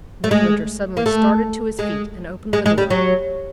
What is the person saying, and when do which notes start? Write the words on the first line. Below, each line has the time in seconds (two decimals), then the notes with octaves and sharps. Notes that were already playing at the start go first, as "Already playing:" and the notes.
Midwinter suddenly started to his feet, and opened the door.
0.24 A3
0.31 G#3
0.97 A#3
1.06 A3
1.79 G#3
2.53 G#3
2.66 G#3
2.78 G3
2.90 F#3